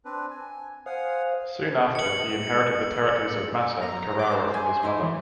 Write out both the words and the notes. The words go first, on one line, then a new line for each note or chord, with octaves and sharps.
Soon after, he inherited the territories of Massa and Carrara from his mother.
C4 D4 B4
G#5
C5 F5 F#5 G#5 D#6
C#7 F#7
A#5
D6
D#4 C5
G#5
D#4 E4 C6
E3